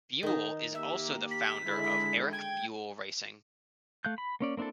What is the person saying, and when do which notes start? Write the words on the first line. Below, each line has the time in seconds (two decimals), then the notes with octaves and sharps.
Buell is also the founder of Erik Buell Racing.
0.23 D#3 D#4
0.74 A#3 G4 E5
1.31 B6
1.63 D3 G#3 E4
2.32 G5 G#6
4.05 A3 F5 F#6 G6
4.18 B5
4.40 A#3 C#4 D5
4.57 A#3 C4 D4 E4 A4